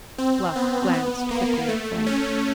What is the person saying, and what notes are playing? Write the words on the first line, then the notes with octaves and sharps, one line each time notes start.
Bluff glanced quickly at Frank.
C4
B3
B3
A#3
A3
C#4